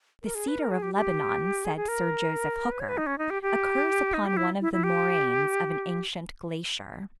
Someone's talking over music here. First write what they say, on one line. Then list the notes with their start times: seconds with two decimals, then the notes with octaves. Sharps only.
The cedar of Lebanon, said Sir Joseph Hooker, occurs upon one of the moraines of an ancient glacier.
0.23 A#4
0.35 G#4
0.48 B4
0.59 A#4
0.71 G#4
0.82 G4
0.95 G4
1.65 G#4
1.76 G#4
1.88 A#4
2.72 B4
2.80 C#5
2.89 B4
2.98 D#4
3.07 C#4
3.18 D#4
3.30 G4
3.42 G4
4.14 D#4
4.26 G4
4.37 E4
4.61 E4
4.73 E4
4.84 G4